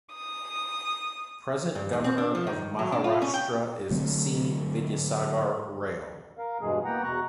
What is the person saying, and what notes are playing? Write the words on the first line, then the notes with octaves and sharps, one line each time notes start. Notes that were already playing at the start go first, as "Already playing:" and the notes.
Present governor of Maharashtra is C. Vidyasagar Rao.
D#6
G2
D#2
C4
D4
F3
D#3
F#3
D4
F4
C#4
G5
D3 F#3 A3 C4
A#4 F5
E2 G2 B2 E3 G#3 G#4
A#3 B3 F#5 G5 A#5
E2 B2 A#5 C#6 F#6